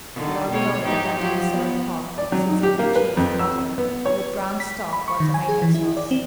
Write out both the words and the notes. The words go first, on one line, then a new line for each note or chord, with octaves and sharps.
The ravioli are then to be served hot seasoned with cheese and butter or with brown stock or tomato sauce.
D3 D#3
B2 G3 C#5
G#2 D#4 G4
F3 F#3 G4
B3
D5
F#3
D#4
G4
A#3
B4
F2
E6
B3
C#5
B6
B5
C#6
D#3
G#5
G#4
E3
E4
D5
C4